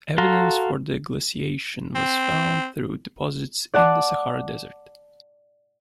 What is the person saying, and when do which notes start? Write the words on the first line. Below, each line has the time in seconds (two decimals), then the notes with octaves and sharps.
Evidence for the glaciation was found through deposits in the Sahara Desert.
0.18 F#4 A4 F5 A#5 C6
1.95 C4
3.74 D5 F#5 A5 D6